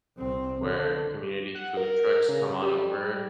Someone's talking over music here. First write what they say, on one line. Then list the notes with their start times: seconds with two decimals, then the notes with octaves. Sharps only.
where community food trucks come on over,
0.17 C2 C4
0.61 D3
1.55 F#5
1.77 A#4
2.29 C#3
2.62 G3